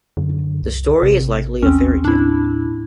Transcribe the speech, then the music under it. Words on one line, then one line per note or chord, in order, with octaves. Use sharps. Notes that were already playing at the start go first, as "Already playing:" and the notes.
The story is likely a fairy tale.
F#2 D3
C2
A1 C3
D#2 C4 C#4
A2 D4 E4